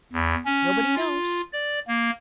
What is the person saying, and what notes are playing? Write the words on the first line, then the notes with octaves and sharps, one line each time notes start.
"Nobody knows."
E2
C#4
F4
D5
A#3